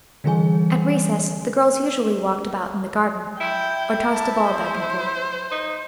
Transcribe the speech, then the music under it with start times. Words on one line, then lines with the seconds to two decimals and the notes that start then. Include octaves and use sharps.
At recess the girls usually walked about in the garden, or tossed a ball back and forth.
0.24 D3 E3 G3 G#4 G#5
3.41 E4 G5
4.12 A5
4.50 C5
5.51 D#4